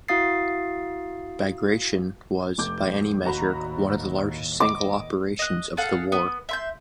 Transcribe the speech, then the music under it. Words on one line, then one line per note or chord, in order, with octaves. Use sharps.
"Bagration" was, by any measure, one of the largest single operations of the war.
E4 F#4 F5 D#6 A6 C7
F1 D6 G6
D#2 A2 F#4 A#5 B5
D#5 D6
D#5 F#6
G#4 A4 F5 F#5
B3
E5 C6 G6